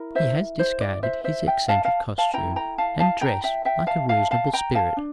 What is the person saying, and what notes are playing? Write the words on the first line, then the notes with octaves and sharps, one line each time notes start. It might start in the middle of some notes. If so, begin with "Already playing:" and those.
He has discarded his eccentric costume, and dresses like a reasonable spirit.
Already playing: E4 A#4
C5 E5
C5
D5
C5 E5
C5 E5
E5 G5
F5 A5
F5 A5
F5 A5
E4 A4 G5 A#5
G5 A#5
F5 A5
F5 A5
G5 A#5
E5 G5
E5 G5
F5 A5
F5 A5
F5 A5
G5 A#5
F5 A5
D4